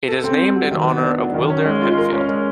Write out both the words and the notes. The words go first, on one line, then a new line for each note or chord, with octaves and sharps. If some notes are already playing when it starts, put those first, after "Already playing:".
It is named in honour of Wilder Penfield.
A4
C4
G3
F#3
D#3
B3
D4
F#3
D#3
C#4
G#3
F4
A#4
C#4
G#3